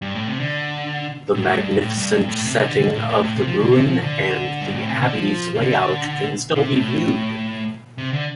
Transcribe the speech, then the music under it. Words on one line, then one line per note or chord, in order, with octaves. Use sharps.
The magnificent setting of the ruin and the Abbey's layout can still be viewed.
G2
A2
C3
D3
A2
G2
A2
G2
A2
G2
G2
A2
C3
D3
D3
A2
A2
A2
C3
F3
D3
C3
F3
D3
G2
A2
C3
D3
F3
C3
D3
C3
G2
A2
C3
D3